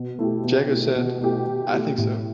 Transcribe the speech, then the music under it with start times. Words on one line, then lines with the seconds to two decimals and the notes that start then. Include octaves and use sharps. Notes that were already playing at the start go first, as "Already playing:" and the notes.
Jagger said: I think so.
Already playing: B2
0.19 A3 E4 G4
0.44 B2
0.70 A3 E4 G4
0.95 B2
1.21 A3 E4 G4
1.47 B2
1.72 A3 E4 G4
1.98 A2